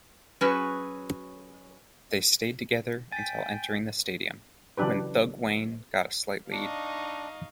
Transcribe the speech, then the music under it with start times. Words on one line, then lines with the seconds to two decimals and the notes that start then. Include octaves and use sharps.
They stayed together until entering the stadium, when Thugwane got a slight lead.
0.41 F#3 C#4 F#4 G#4 B4
3.12 G5 G#5 A6 B6
4.77 C#3 E3 F#3 D4 G4 B4
6.51 D4 D#4 D#5 F5 C#6